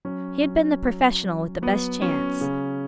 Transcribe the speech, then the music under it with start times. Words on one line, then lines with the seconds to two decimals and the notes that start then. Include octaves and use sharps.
He had been the professional with the best chance.
0.05 F#3 C#4
0.44 F#3
0.83 F#3
1.23 F#3
1.62 F#3 B3
2.02 F#3 C#4
2.41 C#3